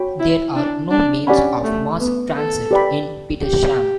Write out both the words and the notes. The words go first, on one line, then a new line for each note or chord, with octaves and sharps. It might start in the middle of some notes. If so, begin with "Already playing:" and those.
There are no means of mass transit in Petersham.
Already playing: F#4 C#5 G5 B5
E4
D4
D4
C#4 G4 D5 F#5 B5
A3
B3
A4
G4 B4 D5 G5 B5
G4